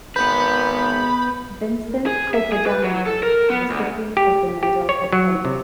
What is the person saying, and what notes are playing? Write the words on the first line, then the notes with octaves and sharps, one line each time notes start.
Vincent Capodanno, recipient of the Medal of Honor.
G#1 B3 B4 B5 G6
G#4
E5
G#4
B4
F#3
A4
A#4
B3
D2
G4
G4
C#5
F#3
C3